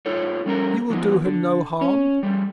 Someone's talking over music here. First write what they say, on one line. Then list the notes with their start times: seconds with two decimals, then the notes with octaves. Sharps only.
You will do him no harm.
0.06 D#4 F4 A4 C#5
0.46 G3 C#4 A4 A#4
0.90 F3 B3 D#4
1.26 D3
1.81 C#4 C#5
2.23 G3 A3